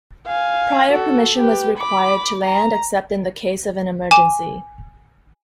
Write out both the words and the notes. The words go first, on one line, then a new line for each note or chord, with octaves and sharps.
Prior permission was required to land except in the case of an emergency.
F5 G#5
F#4 A4
G4 B4
B5 D6
A#5
G#5 D6 E7